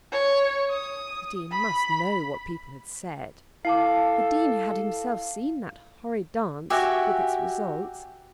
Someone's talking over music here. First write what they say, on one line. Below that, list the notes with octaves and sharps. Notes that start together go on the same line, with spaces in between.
The Dean must know what people had said. The Dean had himself seen that horrid dance, with its results.
C#5
D#6
B5
E4 A4 F5 A5 D6
F#4 G4 E5 G#5